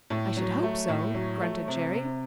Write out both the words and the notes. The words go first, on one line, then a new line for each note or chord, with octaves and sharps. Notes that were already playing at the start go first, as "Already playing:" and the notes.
"I should hope so," grunted Jerry.
A2
F#3
A3
A2
F#3
A3
C3
C3